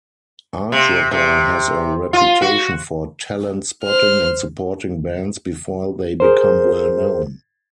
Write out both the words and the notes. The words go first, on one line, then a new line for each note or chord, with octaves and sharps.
Artrocker has a reputation for talent-spotting and supporting bands before they become well known.
C3
C3
F4
F#4
C5 F6
G#4 A#4 C5